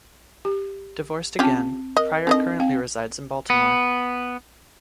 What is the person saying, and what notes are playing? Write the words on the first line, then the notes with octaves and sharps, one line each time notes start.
Divorced again, Pryor currently resides in Baltimore.
G4
C4 C#4 F4 G4 A5
A#4 D#5
D3 D#3 C4 D#5
C4 F5 G5
B3